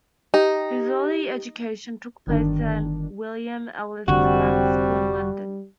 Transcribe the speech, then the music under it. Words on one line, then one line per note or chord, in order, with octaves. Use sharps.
His early education took place at William Ellis Grammar School in London.
D#4 G4
G1 D#3 D4
F1 D3 G3 C4 F#4